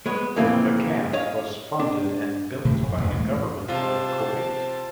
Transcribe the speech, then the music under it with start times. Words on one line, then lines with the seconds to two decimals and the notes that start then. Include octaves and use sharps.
The camp was funded and built by the government of Kuwait.
0.06 G#3 B3 C#5
0.36 F2 A#2 C#3 E3 A#3 C4
1.13 C#5 D#5 F5
1.80 D4
2.65 A2 C3 D#3
2.82 F2
2.97 A1 E2 A2
3.14 A2 E3 G#3
3.68 C3 F4 C5 A5